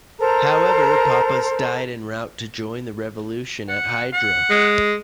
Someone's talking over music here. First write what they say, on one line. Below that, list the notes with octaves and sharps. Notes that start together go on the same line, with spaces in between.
However, Pappas died en route to join the revolution at Hydra.
A4 A#4 C5 A#5
F#5
F#5
G#3